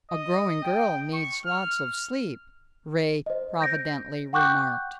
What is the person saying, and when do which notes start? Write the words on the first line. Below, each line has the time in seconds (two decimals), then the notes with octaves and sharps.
"A growing girl needs lots of sleep," Ray providently remarked.
0.11 D#5
0.64 G5
1.13 C#6
1.45 F6
3.26 C5 D#5
3.61 G6 A#6 D7
4.33 F#5 G5 C#6 D6 F#6 G6